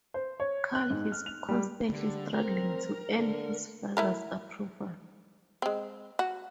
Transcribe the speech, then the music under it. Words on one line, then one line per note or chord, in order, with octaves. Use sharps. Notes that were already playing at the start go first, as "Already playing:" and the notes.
Cal is constantly struggling to earn his father's approval.
C5
C#5
F#6
G#2
F6
F7
G3
D3 G3
C4 A#4
D3
A3 E4 A#4
G#3 C4
F#4